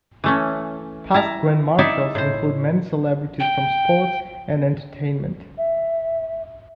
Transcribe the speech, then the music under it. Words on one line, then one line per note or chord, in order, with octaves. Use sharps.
Past Grand Marshals include many celebrities from sports and entertainment.
E3 A3 C#4
E4 A5 A#5
D#4 E4 D5 E5
A2 C5
G5
E5